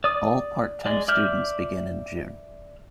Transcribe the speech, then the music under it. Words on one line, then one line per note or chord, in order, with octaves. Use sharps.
All part-time students begin in June.
D5 D#6
G#3 D5
D5 E5 F6 G6